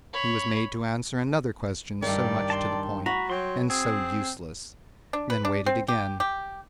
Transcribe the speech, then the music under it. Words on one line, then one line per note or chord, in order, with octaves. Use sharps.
He was made to answer another question so much to the point and so useless, then waited again.
C#5 B5
G2 D#3 D5
A5 C6
F#4 A#5 B5
F#3 G5 C6
C4 G#4
D4
B4
D4
C4
G4
G4